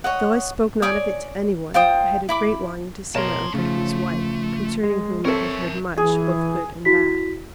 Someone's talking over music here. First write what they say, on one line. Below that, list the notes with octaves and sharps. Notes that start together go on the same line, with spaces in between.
Though I spoke not of it to anyone, I had a great longing to see my Uncle Hugh's wife, concerning whom I had heard much, both good and bad.
C#5 D#5 F#5
C#5 D5 G#5 D#6
F4 C5 G5 D#6
E4 B5 D6
B2 A#4 C#5 A5 C6
C#3 F3 A3
G#3
C4 A4 A#4 C#5 E5
E3 G#4
E4 F#4 B6